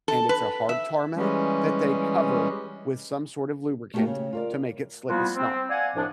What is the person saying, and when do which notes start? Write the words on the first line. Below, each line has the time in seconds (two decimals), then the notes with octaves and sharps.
and it's a hard tarmac that they cover with some sort of lubricant to make it slick as snot.
0.08 A4
0.29 B4
0.69 E5
1.16 E3 G3 G#3 C#4
3.94 A3 A#3 D#4 F#4 G4
4.07 C#3
4.33 F4 A#4 D5
5.09 F3 G3 A#3 B3 E4 F#4
5.35 C4
5.69 D5 F5 F#5 G#5
5.95 C2 A2 F3 D4